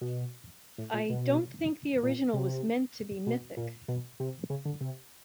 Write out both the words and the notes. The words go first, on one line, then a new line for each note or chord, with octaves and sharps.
I don't think the original was meant to be mythic...
B2
A2
A#2
B2
A#2
C3
B2
A#2
B2
C3
C#3
D3
C3